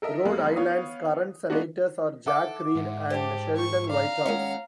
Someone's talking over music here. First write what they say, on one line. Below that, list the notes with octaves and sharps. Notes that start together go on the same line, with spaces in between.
Rhode Island's current senators are Jack Reed and Sheldon Whitehouse.
A4 A#4 D#5 E5
F2 F#3 G#3 A#3 B3 F5
B3 C#5 F5 D#6
G#3 A#3 B3 D4 D#4 F#4
A4 E5 F#5 D6
G#2
G4 C5 A5
C#6
D5 F5 A#5
D#2 G#3 C#4 F#5